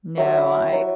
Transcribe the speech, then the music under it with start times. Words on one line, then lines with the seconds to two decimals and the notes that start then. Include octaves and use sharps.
No, I
0.17 F#3 E5
0.36 E4
0.54 E4
0.71 F#3